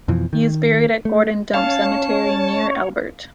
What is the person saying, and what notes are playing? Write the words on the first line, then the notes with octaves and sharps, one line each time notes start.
He is buried at Gordon Dump Cemetery, near Albert.
F2 B2 E3 F3
D#3
A3
C#4 C#5 F5 A5